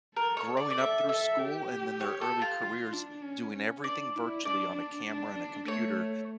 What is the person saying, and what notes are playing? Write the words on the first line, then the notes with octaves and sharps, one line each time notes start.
growing up through school and then their early careers doing everything virtually on a camera and a computer,
A4 A#4
C#5
D5
D5
A4 E5
A4 E5
G4
C#5
A4
F4
F4
D4
C#4
C#4
D4 D5
E4
D4 D5
D4
A3 C#5